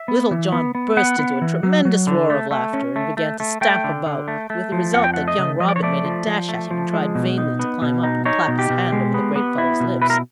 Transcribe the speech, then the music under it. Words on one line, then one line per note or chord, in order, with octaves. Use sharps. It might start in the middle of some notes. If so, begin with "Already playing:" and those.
Little John burst into a tremendous roar of laughter, and began to stamp about, with the result that young Robin made a dash at him and tried vainly to climb up and clap his hand over the great fellow's lips.
Already playing: E5
B3
E3
B3
B3
B3 F#5
B3
E3
F#3
F#3
D3
A3
A3
C#4
A3
A3
A3
A3 G5
D3
D3
A3
A3
F3
F2 F#5
G5
A3 F#5
D#5
C#3
F3 D#5
D5
C#5
A3 D5
F3
F3
A3
F3
G#3
B2
D#4
B3
B2
D#4
D#4 C#5
B2
G4
B2
G#3
B3
B3
E4
B2
E4 B4
A#4